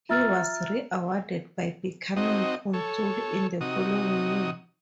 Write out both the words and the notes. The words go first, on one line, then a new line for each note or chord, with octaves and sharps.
He was rewarded by becoming consul in the following year.
F4 E5 A#5 E6 F6 A6
C4 D#4 F#4 D#5
A4 C#5
C3 D#4 F#4 D#6